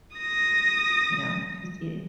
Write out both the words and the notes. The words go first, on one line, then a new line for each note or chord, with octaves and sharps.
you know, if you see it.
D#6 A#6